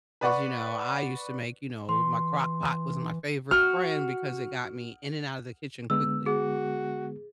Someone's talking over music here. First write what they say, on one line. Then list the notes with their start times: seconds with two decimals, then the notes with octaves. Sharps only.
As you know, I used to make, you know my crockpot was my favorite friend because it got me in and out of the kitchen quickly.
0.21 B4 D5 F#5 C#6
1.89 E3 C6
3.51 F#4 F6
5.90 D3 G#3 B3 E6
6.26 F#4 G#4